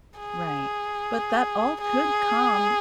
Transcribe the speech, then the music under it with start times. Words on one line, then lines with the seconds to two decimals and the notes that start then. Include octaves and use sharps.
Right, but that all could come,
0.20 G#4
1.81 G#4